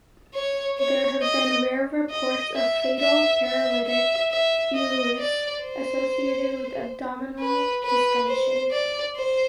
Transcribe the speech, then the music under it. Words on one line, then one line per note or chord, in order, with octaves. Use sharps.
There have been rare reports of fatal paralytic ileus associated with abdominal distention.
C#5
C#5
D#5
D#5
E5
E5
E5
E5
E5
D#5
D5
C5
B4
B4
C5
D5
C5